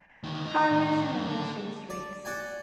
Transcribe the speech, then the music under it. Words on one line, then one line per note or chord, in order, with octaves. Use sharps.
Highways and numerous city streets.
D2 D#3
D#4
A2 D#3
F#2
D3 A4
D5
F#4 D5 G5 G#5